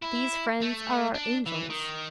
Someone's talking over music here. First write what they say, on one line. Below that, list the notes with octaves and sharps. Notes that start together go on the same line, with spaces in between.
These friends are our angels.
E4
A3
D4
E3
D#3